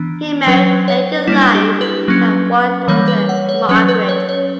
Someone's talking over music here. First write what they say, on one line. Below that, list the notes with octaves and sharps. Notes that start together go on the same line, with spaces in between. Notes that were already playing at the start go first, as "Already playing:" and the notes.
He married late in life and had one daughter, Margaret.
Already playing: E3 B3 D4
F#3 C#4 B4
C#5
G3 A#3 D4 E4
G4
B4
F#3 A#3 C#4
E3 G3 A#3 C#5
B4
F#5
C#5
F#3 C#4 B4
B4
C#5
C#5